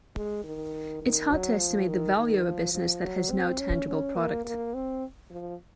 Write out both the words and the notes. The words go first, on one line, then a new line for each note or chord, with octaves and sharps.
It's hard to estimate the value of a business that has no tangible product.
G#3
D#3
D#3
F#3
F3
D#3
D#3
F3
F3
F#3
C4
C#4
C#4
A#3
A#3
C4
F3